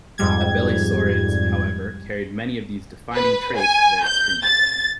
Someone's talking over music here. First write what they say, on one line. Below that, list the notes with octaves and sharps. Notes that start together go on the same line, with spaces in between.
Abelisaurids, however, carried many of these defining traits to their extremes.
F2 G#2 G3 G#6
B4
G#5
G6
A6